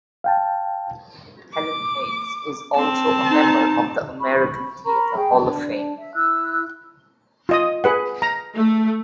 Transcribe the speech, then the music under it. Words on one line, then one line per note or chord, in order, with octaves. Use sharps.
Helen Hayes is also a member of the American Theatre Hall of Fame.
F5 G5 A5
D6
C4 A5
D#4
B5 C#6
A#4 A#5 B5 C#6
G#4 G5
D4
E5
E4 E6 F#6
F4 D#5 D#6
G#4 B4 F#5
A#5
A3